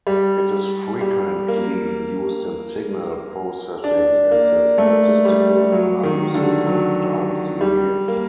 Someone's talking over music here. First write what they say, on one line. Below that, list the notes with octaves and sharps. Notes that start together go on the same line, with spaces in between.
It is frequently used in signal processing and the statistical analysis of time series.
G3
G3
A#3
D4
A#3
A3
G3
F#3
D#3
D3
F#3
G3
A#3